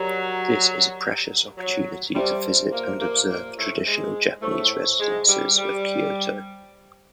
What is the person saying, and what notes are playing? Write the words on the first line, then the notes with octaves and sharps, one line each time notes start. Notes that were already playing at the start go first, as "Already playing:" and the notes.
This is a precious opportunity to visit and observe traditional Japanese residences of Kyoto.
Already playing: F#3 G4 A#4 D5 F#5 A#5
F#3
G3 G4 C5 E5 A5 C6
A#2 A#3
A#2 A#3
A#2 A#3
A2 A3
G#2 G#3
A2 A3 C5 E5 A5 C#6
G#2 G#3
G3
G3